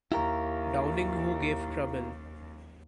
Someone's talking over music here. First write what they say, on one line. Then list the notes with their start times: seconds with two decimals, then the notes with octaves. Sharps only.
Downing who gave trouble.
0.12 D#2 E4 G4 A#4 F5 A#5 C#6